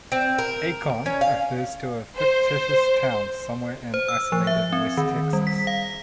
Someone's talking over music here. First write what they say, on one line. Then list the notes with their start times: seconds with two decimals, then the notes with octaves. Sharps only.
"Acorn" refers to a fictitious town somewhere in isolated west Texas.
0.12 C4
0.38 A#4
1.06 C#4
1.21 F5
2.16 C5
3.94 C5
4.08 E6
4.32 F3
4.47 E5
4.72 C4
4.97 D#3
5.33 G3
5.47 B6
5.67 F5